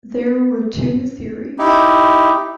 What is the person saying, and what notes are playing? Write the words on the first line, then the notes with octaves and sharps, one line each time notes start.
There were two theories.
D#4 E4 G4